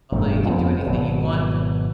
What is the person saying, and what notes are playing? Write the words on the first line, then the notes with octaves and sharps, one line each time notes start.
although you can do anything you want,
E1 G2 A3
F2 F3 B3 C4
G#1 B2 F#3